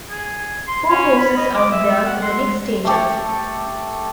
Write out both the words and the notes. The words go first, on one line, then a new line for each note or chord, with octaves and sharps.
Four horses out there for the next stage up!
G#4
C6
C#4
B5
D#5
D6
E5
F#5
C6
A3 G4 A4